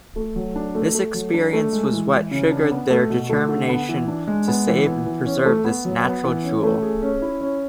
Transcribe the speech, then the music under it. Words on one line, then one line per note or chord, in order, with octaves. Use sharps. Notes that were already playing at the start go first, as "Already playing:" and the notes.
This experience was what triggered their determination to save and preserve this "natural jewel".
A3
F#3
D4
A3
A3
F#3
D4
A3
G#3
E3
E3
C#3
D4
B3
A3
B2
A3
D3
B3
E3
D4
G#3
B3
E3
B3
E3
C#4
A3
B3
F#3
B3
E3
C#4
A3
G#4
C#4
E4
C#4